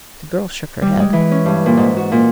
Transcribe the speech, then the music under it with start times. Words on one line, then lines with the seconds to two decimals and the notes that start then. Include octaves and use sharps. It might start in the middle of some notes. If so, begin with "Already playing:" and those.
The girl shook her head.
0.82 G3
1.00 G#3
1.13 E3
1.31 C#4
1.46 G2
1.66 A#2
1.77 G#2
1.97 F#4
2.12 A#2